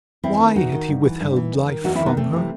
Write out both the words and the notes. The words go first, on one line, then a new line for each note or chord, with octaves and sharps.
Why had he withheld life from her?
E2 C4 E4
D#3
E2 D#4 F#4
D#3
G2
E3
G2
E3
E2
D#3
E2 D#4 F#4
C4 E4
D#3
B3 D#4
E2 A3 C4
C3 E3